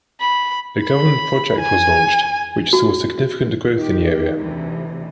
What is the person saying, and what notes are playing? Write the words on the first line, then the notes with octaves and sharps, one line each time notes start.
A government project was launched which saw significant growth in the area.
B5
B5
G#5
F#4
D#3 G4
D2 C3 E3